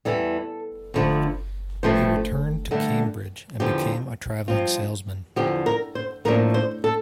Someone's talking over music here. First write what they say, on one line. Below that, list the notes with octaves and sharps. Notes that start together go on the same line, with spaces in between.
He returned to Cambridge, and became a traveling salesman.
E2 E3 G3 A4
F2 D3 F3 A3
G2 F3 A3 C4 C5
G2 D3 A3 D4
E2 D3 F3 C4 G4
G2 F3 C4 F4
E2 D3 F3 G4
A#4
C5
A2 F3 A#3 D4 A#4
C5
A4